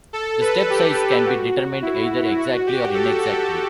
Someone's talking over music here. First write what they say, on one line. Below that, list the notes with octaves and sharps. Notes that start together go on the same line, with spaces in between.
The step size can be determined either exactly or inexactly.
A4
B4
G4
F#4
E4
F#4
G4
A4
A4